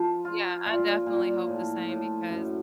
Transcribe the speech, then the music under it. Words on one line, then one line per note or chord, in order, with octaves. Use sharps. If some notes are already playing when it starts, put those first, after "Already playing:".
Yeah, I definitely hope the same, because
Already playing: F3
F4
A#2
A#2
A2
A2
F#2